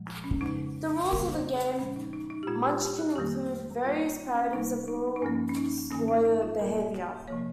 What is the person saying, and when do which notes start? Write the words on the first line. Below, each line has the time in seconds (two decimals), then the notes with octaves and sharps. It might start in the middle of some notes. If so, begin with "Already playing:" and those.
The rules of the game "Munchkin" include various parodies of rules lawyer behavior.
Already playing: A#2 F3 G#3
0.24 C#4
0.41 F2 C#3 G#3 D#4
1.10 F2 C#3 G3 A#3 A#4
1.33 C5
1.56 G#4
1.78 A#2 F3 G#3 C#4
1.96 D#4
2.13 D#4
2.30 D#4
2.43 G4
2.47 A#2 G#3 F4
2.65 G4
2.82 G4
2.99 G#4
3.16 F2 D#3 G3 A#3 G4
3.84 G#2 G3 A#3 F4
4.07 D#4
4.30 C#4
4.53 C3 G3 A#3 D#4
4.88 D#4
5.16 D#4
5.22 G2 F3 A#3 C#4
5.49 C#4
5.57 D#4
5.90 G2 D#3 A#3 C#4
6.08 D#4
6.25 D#4
6.42 F4
6.59 A#2 G3 A#3 A#4
7.28 C3 F3 A#3 C#5